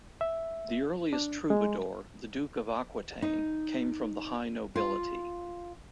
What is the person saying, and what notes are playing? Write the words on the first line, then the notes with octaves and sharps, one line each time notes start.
The earliest troubadour, the Duke of Aquitaine, came from the high nobility.
E5
D4
G#3
D#4
F4